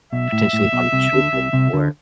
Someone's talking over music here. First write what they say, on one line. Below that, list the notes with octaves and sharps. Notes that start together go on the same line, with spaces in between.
potentially harming children or,
B1 B2 E5
A2
A2
B1 B2
C2 C3
D2 D3
C2 C3
C2 C3
D2 D3